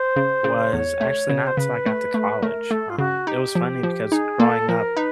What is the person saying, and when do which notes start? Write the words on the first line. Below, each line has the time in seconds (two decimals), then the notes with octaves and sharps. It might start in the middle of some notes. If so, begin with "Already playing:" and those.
was actually not 'till I got to college, um, it was funny because growing up,
Already playing: C5
0.16 C#3
0.44 C#3
0.73 E2 C#5
1.01 A3
1.29 C#3
1.47 C5
1.57 C#3 B4
1.86 A3
2.14 A3
2.42 A3 A#4
2.71 A3 A4
2.90 F4
2.98 C#3 F#4
3.27 D#4 G4
3.55 F3
3.83 F3
4.12 D#4 G#4
4.40 A#3 A4
4.69 F3 A#4
4.96 D#4 B4